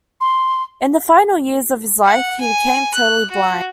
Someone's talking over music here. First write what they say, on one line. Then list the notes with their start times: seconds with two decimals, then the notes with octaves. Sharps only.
In the final years of his life, he became totally blind.
0.21 C6
2.03 F#5
2.40 G#5
2.94 F#6
3.30 F#4